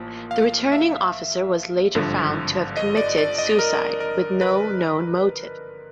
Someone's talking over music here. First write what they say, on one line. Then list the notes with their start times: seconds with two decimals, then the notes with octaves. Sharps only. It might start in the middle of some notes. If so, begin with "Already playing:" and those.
The Returning Officer was later found to have committed suicide with no known motive.
Already playing: A1 F3 A#3
0.31 F5
0.72 E5
1.95 G#1 G2 D3 F3
2.77 D#5
2.97 D5
3.18 D5
3.38 D#5
3.59 A#4
4.00 A#4
4.41 B4